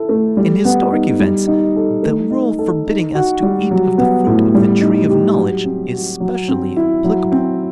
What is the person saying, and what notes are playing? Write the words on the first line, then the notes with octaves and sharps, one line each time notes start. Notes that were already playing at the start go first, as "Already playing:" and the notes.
In historic events the rule forbidding us to eat of the fruit of the Tree of Knowledge is specially applicable.
Already playing: E4 A4
A3
G3
B3
D#4
G3
D#4
A4
A3
D#4
A4
D#4
F#4
G3
F#3
B3
A2
G3
D#4
G4
F#3
C4
F#4
F#3
C4
E4
F#3
C4